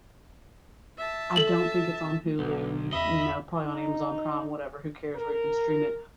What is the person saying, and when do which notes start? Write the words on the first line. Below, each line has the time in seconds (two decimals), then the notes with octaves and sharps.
I don't think it's on Hulu, y you know, probably on Amazon Prime, whatever, who cares where you can stream it?
0.97 E5 A5
1.36 A4 F#7
2.39 B1 B3
2.93 E2 C#3 D#5 E5 B5
3.62 D#4
5.16 A#4